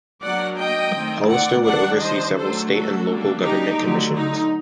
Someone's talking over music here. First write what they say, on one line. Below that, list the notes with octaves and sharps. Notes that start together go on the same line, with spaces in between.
Hollister would oversee several State and Local Government Commissions.
F#3 A#3 D4 D5 F#5
D#5 G5
D#3 A3 C4
D5 F#5
D#3 G3 D4 D5 F#5
C5 D#5
F#3 A3 D4 A4 C5
F#4 A4
G3 A#3 D4
D#4 G4
D3 F#3 A3
D#4